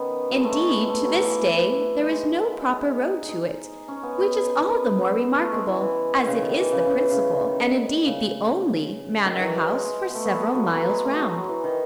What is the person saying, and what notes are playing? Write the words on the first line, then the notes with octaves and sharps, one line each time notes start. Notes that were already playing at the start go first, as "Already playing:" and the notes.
Indeed to this day there is no proper road to it, which is all the more remarkable as it is the principal, and indeed the only, manor house for several miles round.
Already playing: D#3 B3 C#4 D#4
F#3
G#3
A3
B3
G#3
A3
F#3
E3
G#3
D#4
D#4
C#4
B3
B3
A3
G#3
E3
E3
C#3
D#3
E3
C#3
C#3
C#3
D#3
C#3
D#3
E3 F#3
F#3
G#3
B3
A3
B3
A3
F#3
E3
F#3
G#3
A3
F#3
G#3
F#3
E3
D#3